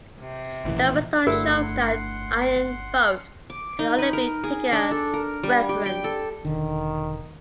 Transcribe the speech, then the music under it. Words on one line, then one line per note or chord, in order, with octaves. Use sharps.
The result shows that "iron vote" can only be taken as reference.
C3
A#1 A#2 E3 E4
G1 A3 D4 E4 A#4 F#5 C6
D6
D#4
B4
A#4
G#4
D4
A4
A#4
G3
G4
G5
A4
E1 D3 D#3